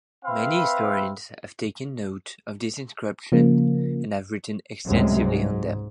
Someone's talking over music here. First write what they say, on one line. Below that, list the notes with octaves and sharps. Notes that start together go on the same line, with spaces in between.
Many historians have taken note of these inscriptions and have written extensively on them.
C4 B4 E5 F5 B5
C#3 F3 A#3
C#2 F#2 A2 C3 G3 G#3
G#2